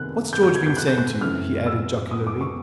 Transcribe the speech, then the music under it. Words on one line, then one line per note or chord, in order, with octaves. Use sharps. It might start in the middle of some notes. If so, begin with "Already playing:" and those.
What's George been saying to you?' he added jocularly.
Already playing: C3 D#3 F#6
G6
G6
G#6
G6
F#6
G6
F#6
F#2 C#3 E3 A3 C4 F6
E6
D#6
D6
C#6